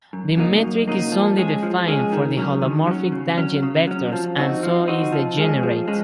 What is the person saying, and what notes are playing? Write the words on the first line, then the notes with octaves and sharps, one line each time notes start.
The metric is only defined for the holomorphic tangent vectors and so is degenerate.
F#2
C#3 F#3 A#3 D#4
F#2
C#3 F#3 A#3 D#4
F3
G#3 C#4 G#4
F3
G#3 C#4 G#4
D#3
F#3 C#4
D#3
F#3 C#4
C#3
F#3 C#4
C#3
F#3 C#4
F3
C4 D#4 F#4
F3
C4 D#4 F#4
F3
G#3 C#4 G#4
F3
G#3 C#4